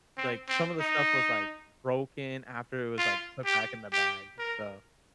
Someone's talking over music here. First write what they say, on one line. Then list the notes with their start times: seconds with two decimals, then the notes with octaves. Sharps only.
like, some of the stuff was, like, broken after it was, like, put back in the bag, eh, so,
0.18 C4
0.49 C4
0.80 D#4
2.99 F4
3.45 G4
3.93 G4
4.39 A#4